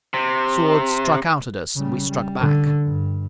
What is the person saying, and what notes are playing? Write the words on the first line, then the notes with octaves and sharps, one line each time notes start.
Swords struck out at us, and we struck back.
C3
C#3 G3
G3
D3
G2